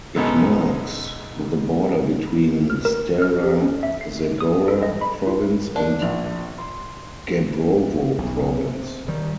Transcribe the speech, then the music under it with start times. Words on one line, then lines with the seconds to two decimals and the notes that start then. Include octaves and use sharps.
It marks the border between Stara Zagora province and Gabrovo province.
0.16 B1 G#3 B3 C#4 D#4 A4
2.70 F6
2.85 A#4
3.22 F6
3.43 G4
3.62 C#4
3.83 E5
4.01 C7
4.41 D#6
4.68 A4
4.83 D#5
5.01 B5
5.27 F4
5.76 D4
5.99 A#1 D5
6.58 C6
8.18 B1
8.66 C3
9.08 D#3 G3